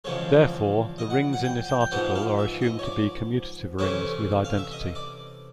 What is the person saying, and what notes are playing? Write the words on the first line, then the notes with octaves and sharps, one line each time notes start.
Therefore, the rings in this article are assumed to be commutative rings with identity.
E2 C#3 F3 G#3 C#5
D#5
F#5
F#5
G5
G5
G5
G#2 F3 G#3 B3 F#5
F5
E5
D#5
C#5
D5
C3 E3 A3 C#4 E4 C#5
F5
E5
D#5
D5